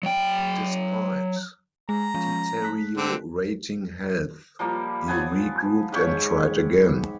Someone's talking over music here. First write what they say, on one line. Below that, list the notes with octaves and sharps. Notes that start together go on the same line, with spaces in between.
Despite deteriorating health, he regrouped and tried again.
F#3 G5
G#3 A#5
F3 G#3 C#4
A3 F#6 B6
D3 C4
F3 G3 A#3
F3 B3 G#5
G#2 G4 C#5 C#6